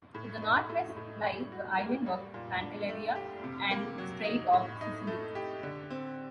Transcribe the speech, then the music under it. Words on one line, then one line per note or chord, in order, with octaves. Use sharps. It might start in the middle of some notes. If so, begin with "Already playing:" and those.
To the northwest lie the island of Pantelleria and the Strait of Sicily.
A2
D#4
A3
A2
G3
F#4
A#3
G3
A#2
D4
A3
G4
C3
A#3
F#3
D#4
A2
D#4
A3
G4
D3
C4